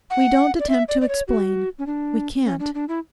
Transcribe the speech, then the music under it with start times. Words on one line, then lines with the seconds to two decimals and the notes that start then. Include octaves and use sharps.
We don't attempt to explain; we can't.
0.10 F#5
0.60 D5
0.69 E5
0.89 D5
1.01 D5
1.09 C#5
1.28 F#4
1.79 C#4
1.87 D4
2.45 C#4
2.60 D4
2.75 D4
2.89 E4